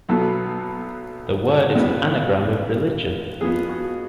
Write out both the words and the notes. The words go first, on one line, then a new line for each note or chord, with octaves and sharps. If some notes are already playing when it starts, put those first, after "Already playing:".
The word is an anagram of "religion".
B1 B2 F#3 B3 A4
C#2 C#3 G#3 B3
F2 F3 B3 G#4
F#4